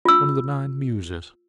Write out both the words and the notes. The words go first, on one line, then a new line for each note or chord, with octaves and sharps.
One of the nine Muses.
F4 E6